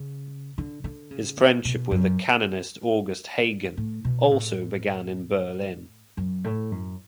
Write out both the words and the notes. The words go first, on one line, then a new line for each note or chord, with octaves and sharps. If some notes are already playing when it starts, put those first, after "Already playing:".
His friendship with the canonist August Hagen also began in Berlin.
Already playing: C#3
D3
D3
C#3
B2
B2
F#2
A2
B2
A2
F#2
A2
F#2